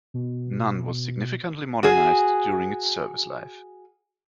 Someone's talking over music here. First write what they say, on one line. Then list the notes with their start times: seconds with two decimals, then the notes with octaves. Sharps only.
None was significantly modernised during its service life.
0.14 B2
1.83 F#4 G#4